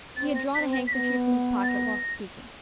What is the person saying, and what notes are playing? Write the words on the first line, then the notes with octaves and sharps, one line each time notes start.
He had drawn a handkerchief from his pocket while speaking.
C4 A6
A#6
C4 B6
A#6
B6
B3 A#6
A6
A#6